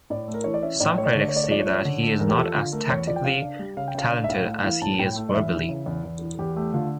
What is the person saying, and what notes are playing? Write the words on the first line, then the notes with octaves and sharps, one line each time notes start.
Some critics say that he is not as tactically talented as he is verbally.
A2 D5
A3
A#4
E3 C#5
D5
C#4 E5
A2 D5
A3 C#5
D5
D3 C#5
D5
C#5
A3 D5
C#5
F3 D5
C#5
C#4 D5
C#5
D3
A3
E2 A#4
G4
F3 A4
D3 F4
A3 A#4
E2 C#5
F3 D5
G5
C#3 F5
D4
G3
C#3 F5
G5
C#3 F5
D4
E5
A2 F5
A3 F5
E3 F5
A2 A5
A2 G5
A3
D5
E2 E5
E3
C#3
E2
E2
E3
E2 G4
A3 G4
D3 F4